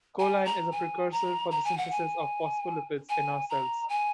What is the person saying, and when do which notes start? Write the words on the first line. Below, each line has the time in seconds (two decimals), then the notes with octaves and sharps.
Choline is a precursor for the synthesis of phospholipids in our cells.
0.19 G#5
0.46 A#5
0.72 G#5
1.12 A#5
1.51 A#5
1.64 G#5
1.78 F#5
1.91 G#5
3.09 G#5
3.50 A#5
3.89 G#5